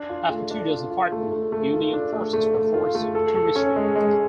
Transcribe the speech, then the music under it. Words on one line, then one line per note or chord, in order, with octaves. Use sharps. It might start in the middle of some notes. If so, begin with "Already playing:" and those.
After two days of fighting, Union forces were forced to retreat.
Already playing: D4
F4
A3
D4
F4
F4
A3
A3
A3
F4
D4
A3
A3
A3
F4
A3
A4
A4
C#4
G#3
G#3